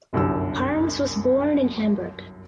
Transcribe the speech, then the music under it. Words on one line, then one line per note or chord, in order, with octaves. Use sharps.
Harms was born in Hamburg.
G1 C2 F#2 D3 E6